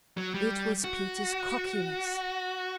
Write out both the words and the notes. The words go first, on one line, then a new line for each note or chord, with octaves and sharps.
It was Peter's cockiness.
F#3
G3
F#4